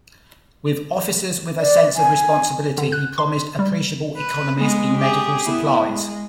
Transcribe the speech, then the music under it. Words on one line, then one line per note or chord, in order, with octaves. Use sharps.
With officers with a sense of responsibility he promised appreciable economies in medical supplies.
D5
G#5
D3
F#6
C6
G3
B4
G#3 B3
G4 G#4
B3 E4
G#3